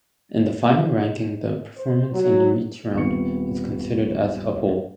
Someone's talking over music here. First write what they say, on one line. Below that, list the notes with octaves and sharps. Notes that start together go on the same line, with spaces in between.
In the final ranking, the performance in each round is considered as a whole.
C5
F#3
D#1 B3 C4 C#6 C#7